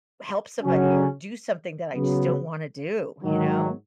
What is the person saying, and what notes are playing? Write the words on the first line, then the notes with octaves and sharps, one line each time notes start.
help somebody or do something that I just don't wanna do, you know?
C#3 F#3 C#4
C#3 F#3 B3
G#2 D#3 F#3